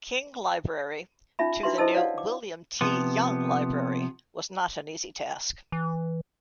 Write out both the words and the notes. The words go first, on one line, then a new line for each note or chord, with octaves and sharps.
King Library to the new "William T. Young Library" was not an easy task.
C#4 D#4 F4 E5 B5
D4 E4 F#4 B4 E5 C6
E4 A4 C5 D#5 A5 E6
C#5 D5 F5 F#5
D6
C3 F3 B3
E3